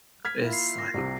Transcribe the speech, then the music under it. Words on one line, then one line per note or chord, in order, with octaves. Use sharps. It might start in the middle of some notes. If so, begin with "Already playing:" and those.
it's like
F6 G#6 B6
A#3 E4 F4
C7
A#6
C2 C3